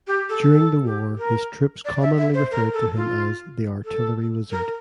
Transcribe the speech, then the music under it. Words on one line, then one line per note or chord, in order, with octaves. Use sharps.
During the war his troops commonly referred to him as "the artillery wizard".
G4
A4
A4
G4
A#4
D5
E5
E5
C5
A#4
A4
F4
A4
A#4